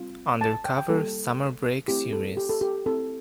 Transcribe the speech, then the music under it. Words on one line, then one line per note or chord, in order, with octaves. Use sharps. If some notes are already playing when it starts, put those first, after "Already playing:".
Undercover: Summer Break series.
Already playing: G3 C4 F4
A5
A5
G5
G5
G3 A#3 F4 A4
A3 C4 E4 G4
A4
G4
A4
G4
C4 E4 G4 A4